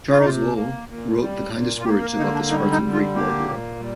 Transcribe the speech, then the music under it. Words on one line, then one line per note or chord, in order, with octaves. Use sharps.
Charles Lowell wrote the kindest words about the Spartan Greek war hero.
F4
D#4
C3 F4
A#3
A#2
G3
A#2
F4
A#3 G4
A#4
D3 D#4
D4
G3 D#4
D#4
D3
F4
A#3 G4
A#2
G3